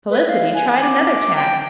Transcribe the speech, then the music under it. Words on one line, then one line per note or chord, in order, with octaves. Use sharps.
Felicity tried another tack.
B4
F5
G#5
D6
D6
G5